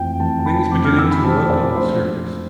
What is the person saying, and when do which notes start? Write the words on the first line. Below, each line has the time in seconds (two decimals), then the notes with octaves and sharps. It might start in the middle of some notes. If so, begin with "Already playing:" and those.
Things beginning to look a little serious.
Already playing: F2 E3 A3 C4 G5
0.20 F2 E3 A3 C4 A5
0.39 A5
0.46 B5
0.71 F2 E3 A3 C4 D6
0.85 F6
0.99 E6
1.11 B5
1.24 F2 E3 A3 C4 A5
1.46 C5
1.50 D5
1.76 F3 A3 D4 C5